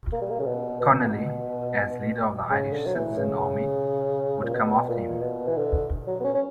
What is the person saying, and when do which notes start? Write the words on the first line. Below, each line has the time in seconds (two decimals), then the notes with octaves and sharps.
Connolly, as leader of the Irish Citizen Army, would come after him.
0.13 A#3
0.22 G3
0.31 A#3
0.40 C#3
0.46 B2
0.81 B2
2.51 C#3
2.73 D3
2.86 F#3
2.95 E3
3.18 C#3
4.44 A#2
4.54 B2
4.89 A#2
5.22 B2
5.48 E3
5.57 D3
6.07 F#3
6.20 B3
6.24 C#4
6.35 C#4